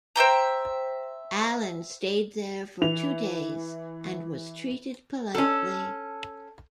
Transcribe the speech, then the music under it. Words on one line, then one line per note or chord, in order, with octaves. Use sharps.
Allen stayed there for two days and was treated politely.
C5 E5 G5 A#5
E3 F7
C#4 A4